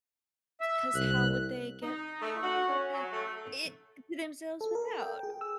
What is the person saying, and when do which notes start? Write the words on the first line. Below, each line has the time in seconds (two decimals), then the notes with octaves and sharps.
'cause how would they get how would they get back in to themselves without?
0.61 E5
0.95 C2 F#6
1.82 D#4
2.21 A3
2.43 F#4
2.68 C#4
2.93 F#3
3.12 A3
4.61 A4
4.75 A#4
5.02 G5
5.23 G#4
5.41 E6